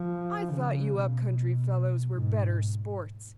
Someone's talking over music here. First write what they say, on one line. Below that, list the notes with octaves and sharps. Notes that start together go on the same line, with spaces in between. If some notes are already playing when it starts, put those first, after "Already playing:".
"I thought you up-country fellows were better sports."
Already playing: F3
C#3
B2
G#2